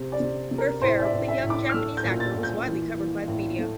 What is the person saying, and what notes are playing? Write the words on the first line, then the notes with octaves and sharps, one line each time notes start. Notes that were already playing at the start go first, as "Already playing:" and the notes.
Her affair with a young Japanese actor was widely covered by the media.
Already playing: C3
D5
C3
C3
A#4
A2 C5
E5
D5
A2
E5
A2
D6
F6
A3 E6
G6
A#2
A6
A#2
G6
E3
E3
A2
A3